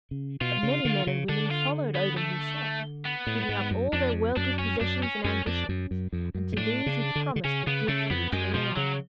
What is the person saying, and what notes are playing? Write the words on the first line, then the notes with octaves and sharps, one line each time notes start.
But many men and women followed Odin himself, giving up all their worldly possessions and ambitions; and to these he promised the gift of eternal life.
C#3
B2 F4
C#3
D3
C#3
D3 D4
F4
B3
A3
B3
A2
G#2
F#2
F2 D4
F#2 D4
C#4
F#2 D4
C#4
F#2 C#4
F2 D4
F#2
F#2
F2
F#2
B2
A2 D4
C#3
D3
D3
C#3 C#4
C#3 B3
C#3 A3
F2 B3
F#2 G#3
B2 F3
C#3 F#3